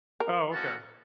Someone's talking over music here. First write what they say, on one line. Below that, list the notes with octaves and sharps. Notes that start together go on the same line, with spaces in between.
Oh, okay.
A#4
A#3 C#4 F#4 A4